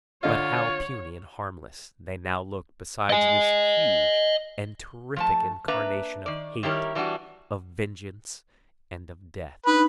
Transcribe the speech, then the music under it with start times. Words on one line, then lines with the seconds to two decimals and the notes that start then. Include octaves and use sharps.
But how puny and harmless they now looked beside this huge and terrific incarnation of hate, of vengeance and of death.
0.23 D3 F4 C#5 D#5
3.10 D#5 G#5
5.16 F3 A3 A5
5.68 A#3 D4 B4 E5 A#5
6.26 D#3 D5
6.63 D#3 G3 E4 G4 A#4 C#5
6.95 E3 G3 D4 D#4 F#4
9.66 D4 D#4 B4 B5